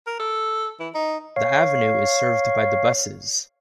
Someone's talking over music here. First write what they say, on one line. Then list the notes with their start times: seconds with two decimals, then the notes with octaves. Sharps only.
The avenue is served by the buses.
0.07 A#4
0.20 A4
0.79 E3
0.95 D#4
1.36 C#5 F5